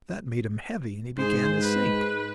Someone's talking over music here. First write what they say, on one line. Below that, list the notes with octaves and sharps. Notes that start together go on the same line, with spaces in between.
That made him heavy and he began to sink.
G#2 G#4 C5
B4